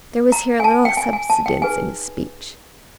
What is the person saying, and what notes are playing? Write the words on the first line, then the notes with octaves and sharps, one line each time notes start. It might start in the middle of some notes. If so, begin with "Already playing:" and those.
There was here a little subsidence in his speech.
A#5
G#5
A5
G5
G#5
G#5
A5
G5
D#4 G#4 B4 G#5